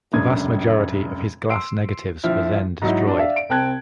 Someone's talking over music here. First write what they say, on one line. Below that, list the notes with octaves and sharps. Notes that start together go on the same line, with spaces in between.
The vast majority of his glass negatives were then destroyed.
F1 C#2 F#2 D4 D#6 G#6
C6 E6 C7 D7
A#1 F3 E4 F6
G#2 F#3 D#4 E4
D4 F#4
D5 E5 F5
D7
C2 C4 G5 A5 F#6 G#6